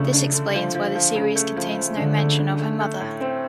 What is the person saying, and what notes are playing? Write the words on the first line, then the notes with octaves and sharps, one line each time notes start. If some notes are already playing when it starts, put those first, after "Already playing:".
This explains why the series contains no mention of her mother.
Already playing: C#3 F3 A3 D4
D4
D3
F3
F3
F3
C#3
A3
F3
F3
D3 D4
A3
D4
A3
A3
A2
C4